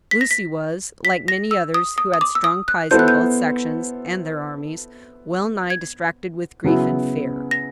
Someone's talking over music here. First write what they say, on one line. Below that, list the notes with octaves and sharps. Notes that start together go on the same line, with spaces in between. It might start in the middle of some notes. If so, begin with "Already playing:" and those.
Lucy was, like many others who had strong ties in both sections and their armies, well-nigh distracted with grief and fear.
B6
A#6
B6
B6
A#6
E6
D#6
D#6
D#6
D6
E6
D#6
F#6
B3 E4 A4 C5 G6
F#6
G6
G#6
C#3 F#3 B3 E4
A#6